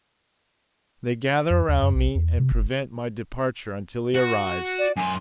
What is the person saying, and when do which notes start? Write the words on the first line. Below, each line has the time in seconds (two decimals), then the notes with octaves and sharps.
They gather around me and prevent my departure until he arrives.
1.50 F2
1.69 D#2
1.82 F#2
1.95 B1
2.15 E2
2.40 C3
2.52 F#1
4.15 F#4
4.79 D5
4.96 F#2 G#5 C6